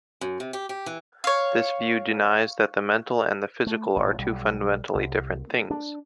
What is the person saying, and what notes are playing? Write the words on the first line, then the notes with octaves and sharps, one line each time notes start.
This view denies that the mental and the physical are two fundamentally different things.
F#2
C3
G4
G4
E3
C#5 F5
A3
A1 A#2 E3
B1 G3
C2
D4